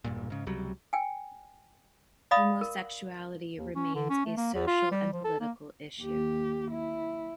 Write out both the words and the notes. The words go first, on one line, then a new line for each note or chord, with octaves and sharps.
Homosexuality remains a social and political issue.
E1 G2 A#2
G#2 C#3
C#2 C3 F#3 G3
G5 G#5
D5 D#5 F5 B5 D#6
A#4
D#2
C#4
D3
C#4
A3
A#3
E2
F4
G3
F3
A4
A#3
D#2 G4
E4